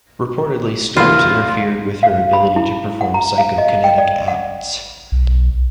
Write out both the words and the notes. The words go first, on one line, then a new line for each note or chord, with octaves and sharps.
Reportedly, storms interfered with her ability to perform psychokinetic acts.
E2 A#3 F4
F5
B5
E4
F#5
A#5
F5
D#5
G5
D5
F#5
B1